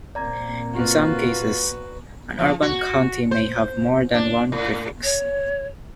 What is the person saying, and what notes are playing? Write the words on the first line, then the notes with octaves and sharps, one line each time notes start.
In some cases, an urban county may have more than one prefix.
A#2 A#3 C4 D5 A#5 G#6
F4 F#4 B4
F3
F#4
C5
D4
A2
C#5